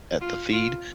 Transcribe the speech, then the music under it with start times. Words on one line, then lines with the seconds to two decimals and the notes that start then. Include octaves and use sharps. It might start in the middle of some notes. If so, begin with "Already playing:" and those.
a at the feed,
0.21 F4
0.53 F4